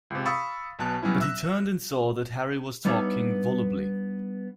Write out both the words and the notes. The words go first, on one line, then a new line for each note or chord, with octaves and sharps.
But he turned and saw that Harry was talking volubly.
C#2 C3
F5 B5 C#6 D#6 E6 A6
B1 B2 A5 F#6
B2 F#3 G3 C#4 E4
E5 E6 F#6 A#6 E7
G3 B3 D4 D#4 C#5 E5